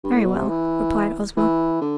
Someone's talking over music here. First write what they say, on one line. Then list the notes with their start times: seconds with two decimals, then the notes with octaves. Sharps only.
"Very well," replied Ozma.
0.04 G2
0.14 A2
0.25 B2
0.37 C3
0.48 E3
1.37 E3
1.81 D3